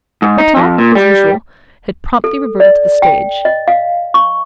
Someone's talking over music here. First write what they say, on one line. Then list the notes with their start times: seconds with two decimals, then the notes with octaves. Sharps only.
Her talk, as usual, had promptly reverted to the stage.
0.22 G#2
0.38 D#4
0.56 F2
0.78 A#2
0.95 G3
2.24 A4
2.60 D5
3.02 G5
3.45 D#5
3.68 F5
4.14 C#6